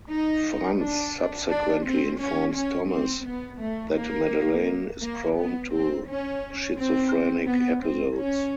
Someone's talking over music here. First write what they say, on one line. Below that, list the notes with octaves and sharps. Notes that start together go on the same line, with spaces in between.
Franz subsequently informs Thomas that Madeleine is prone to schizophrenic episodes.
D#4
D4
D4
C4
C#4
C#4
C4
B3
A3
A#3
A#3
B3
C4
C#4
C4
B3
C4
C#4